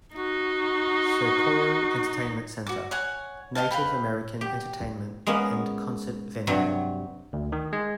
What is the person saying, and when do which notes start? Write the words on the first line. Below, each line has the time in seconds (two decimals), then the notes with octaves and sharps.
Socorro Entertainment Center - Native American entertainment and concert venue.
0.15 D#4 F#4
2.67 F#4 D6
2.91 C#5 F#5 G#5
3.55 G4 D#5 F5 A5
3.71 B4 F5 G5 B5
4.41 G4
5.27 G#3 A#3 B3 C#4
6.47 G2 C3 F#3
7.33 D2
7.52 D#3
7.73 G#3